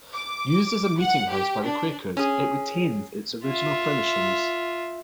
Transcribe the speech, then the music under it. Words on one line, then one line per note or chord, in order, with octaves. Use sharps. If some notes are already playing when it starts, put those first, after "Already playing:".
Used as a meeting house by the Quakers, it retains its original furnishings.
D6
F#5
G4
D4
C#4 G#4
F4 E5